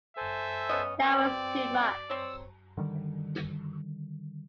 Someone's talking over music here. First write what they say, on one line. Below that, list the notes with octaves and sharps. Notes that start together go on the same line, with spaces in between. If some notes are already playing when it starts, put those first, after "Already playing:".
That was too much.
A4 C5 E5 G#5
B3 C#4 D#5
B3 C4 D5
C4 C5 C#5 E6
D3 D#3 G3